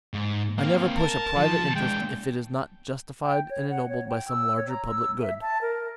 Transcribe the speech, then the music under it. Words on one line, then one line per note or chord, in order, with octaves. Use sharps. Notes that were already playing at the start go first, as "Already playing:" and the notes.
I never push a private interest if it is not Justified and ennobled by some larger public good.
G#2
A#3 C4 F5
A#4 A5
F3
G#3 D4 G5
G5
C#5
F#5
C#5
G5
E6
C#5
A#5
E6
E5
A5
A#4